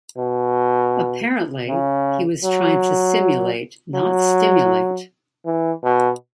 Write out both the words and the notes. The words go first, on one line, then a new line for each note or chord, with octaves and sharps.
Apparently, he was trying to simulate not stimulate!
B2
C#3
F#3
F#3
E3
B2